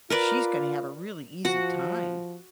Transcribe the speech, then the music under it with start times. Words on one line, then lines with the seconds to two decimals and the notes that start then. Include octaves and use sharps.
she's gonna have a really easy time.
0.10 F4 A#4 B4 D5
1.45 F3 F#4 F#5